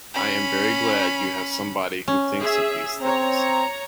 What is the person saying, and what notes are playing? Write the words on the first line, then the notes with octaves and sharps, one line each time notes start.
I am very glad you have somebody who thinks of these things.
C#4 B5
C#4
G#4 E5
C4 C#5 A#5